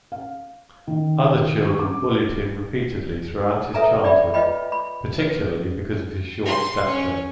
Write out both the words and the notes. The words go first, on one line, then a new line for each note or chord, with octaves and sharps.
Other children bullied him repeatedly throughout his childhood, particularly because of his short stature.
F5
D#3
C#6
D6
A4 B4 E5 G#5 A#5
D5 E5 G5 B5
F4 B4 D#5 G5 B5
B5
B4
C6
C#4